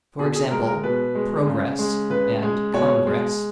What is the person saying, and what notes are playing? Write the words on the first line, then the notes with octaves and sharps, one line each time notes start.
For example, Progress and Congress.
B2 G#4
G#4
G#3 A#4
A#4
B2 B4
G#3
C#3
G#3
C#3 B4
G#3
B2 C#5
G#3